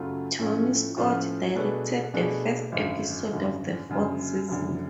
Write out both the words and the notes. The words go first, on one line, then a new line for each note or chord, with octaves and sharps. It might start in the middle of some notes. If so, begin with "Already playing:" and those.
Tony Scott directed the first episode of the fourth season.
Already playing: F#2 C#3 F#3 A3 F4
A2 F3 A3 C#4 F4
A2 F3 A3 C#4 F4
B2 A3 D4 G#4 B4
B2 A3 D4 G#4 B4
G#1 F#2 D3
G#1 F#2 D3
F#1 F#2 D3
F#1 F#2 D3